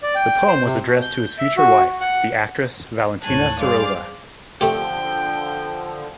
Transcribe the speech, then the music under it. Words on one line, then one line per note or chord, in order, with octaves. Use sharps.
The poem was addressed to his future wife, the actress Valentina Serova.
D5
G5
C5
C3
B2
G6
E5
F#4
F#5
D#2 A2 C#5 G#5 A5 F#6
G2 G#4 C5 D5 F5 D6
D3 F3 A3 C4 G4 G5